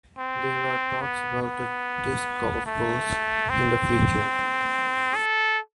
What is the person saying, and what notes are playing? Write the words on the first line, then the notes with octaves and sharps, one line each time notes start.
There are talks about a disk golf course in the future.
C4
B3
B3
A3
C4
A4